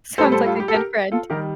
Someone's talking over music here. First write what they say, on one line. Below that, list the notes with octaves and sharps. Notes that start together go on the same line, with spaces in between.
Sounds like a good friend.
A2 G3 A4 C5
A4 C5
F4 A4
G4
A4
G4 A#4
F4 A4
D#3 G3 G4 A#4